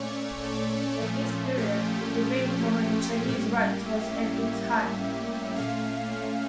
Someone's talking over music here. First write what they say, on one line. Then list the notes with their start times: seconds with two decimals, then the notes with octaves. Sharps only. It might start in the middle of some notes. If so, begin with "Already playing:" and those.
At this period the debate over the Chinese Rites was at its height.
Already playing: A#2 A3 C#4 C#5 D5
0.44 A4
1.00 A#2 F3 A3 C#4
1.57 G4
3.28 A2 G3 A#3 C#4 G4
3.86 E5
5.56 A#2 A3 C#4 F5